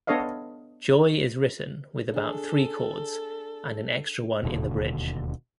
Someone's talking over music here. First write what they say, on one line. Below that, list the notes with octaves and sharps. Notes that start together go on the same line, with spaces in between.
"Joy" is written with about three chords, and an extra one in the bridge.
B3 D4 A4 C#5 D#5 F5
D4 G#4 A4
D1 D#2 B2 D3